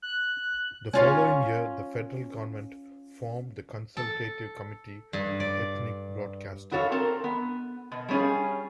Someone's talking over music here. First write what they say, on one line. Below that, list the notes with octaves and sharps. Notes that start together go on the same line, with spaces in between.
The following year, the Federal Government formed the Consultative Committee on Ethnic Broadcasting.
F#6
C#4 F4 C#5
A4
G2
D5
E4 F#4 A4 C#5 F5
C4 A4 A#4
B3
B2
G3 A3 C#4 F4 G#4